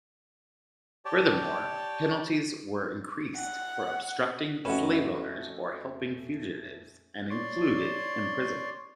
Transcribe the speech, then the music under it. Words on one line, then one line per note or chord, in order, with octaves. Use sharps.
Furthermore, penalties were increased for obstructing slave owners or helping fugitives, and included imprisonment.
G4 C#5 D5 G5 A5
F#5
F2 A3 C#4 F#4 B4 E7
C#5 D5 C6